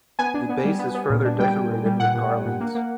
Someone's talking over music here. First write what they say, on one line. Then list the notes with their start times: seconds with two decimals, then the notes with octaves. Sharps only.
The base is further decorated with garlands.
0.19 B3 G#5
0.34 D4
0.49 B3
0.65 G3
0.79 B3
0.95 B3
1.10 A#2
1.25 D4
1.40 G3 G5
1.55 G3
1.70 A#2
1.85 G3
2.00 A#2 F#5
2.15 A#2
2.30 G3
2.45 A#2
2.60 A#3
2.75 A#3